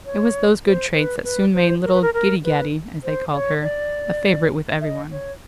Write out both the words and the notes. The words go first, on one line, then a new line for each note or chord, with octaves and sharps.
It was those good traits that soon made little "Giddygaddy," as they called her, a favorite with every one.
C#5
C5
C5
B4
B4
C5
A#4
B4
A#4
A#4
B4
C5
D5
C#5
D5
E5
D#5
C#5